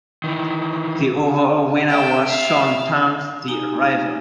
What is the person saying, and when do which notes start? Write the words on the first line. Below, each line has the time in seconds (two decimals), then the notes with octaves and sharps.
The overall winner was Shaun Tan's "The Arrival".
0.24 D#3 E3
1.88 A3 G5
2.27 E5 F5
3.48 D#4 G4 G#5 A#5